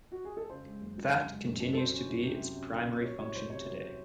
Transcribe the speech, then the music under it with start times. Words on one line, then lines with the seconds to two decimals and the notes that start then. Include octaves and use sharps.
That continues to be its primary function today.
0.12 F#4
0.25 G#4
0.37 A4
0.49 C#3 C5
0.65 G#3
0.81 F#1
0.98 F#2
1.13 C#3
1.30 G#3
1.44 F#1
1.60 F#2
1.73 A4
1.77 F#3 C5
1.93 C#4
2.09 C2
2.23 C3
2.40 F#3
2.56 C#4
2.72 C2
2.87 C3
3.03 F#3 C#5
3.19 C2 C#5
3.35 C2 C5
3.50 C3 C#5
3.66 F#3 C#5